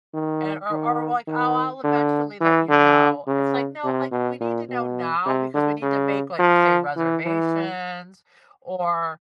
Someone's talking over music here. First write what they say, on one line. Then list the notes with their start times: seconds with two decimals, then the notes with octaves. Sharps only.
and or or, like, "Oh, I'll eventually let you know." It's, like, "No, like, we need to know now because we need to make," like, say, "reservations," or,
0.14 D#3
0.71 D#3
1.27 D#3
1.84 D3
2.41 E3
2.69 D3
3.27 C#3
3.84 C3
4.11 B2
4.41 A#2
4.69 B2
5.26 C3
5.54 D3
5.82 C#3
6.39 F3
6.96 E3
7.26 E3